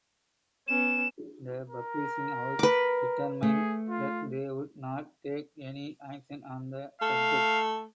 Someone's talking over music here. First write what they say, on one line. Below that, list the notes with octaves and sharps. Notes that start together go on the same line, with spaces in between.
The publishing house determined that they would not take any action on the subject.
B3 C#4 E7
A#4
B4 D6
A3 G#4
F4
A3 F5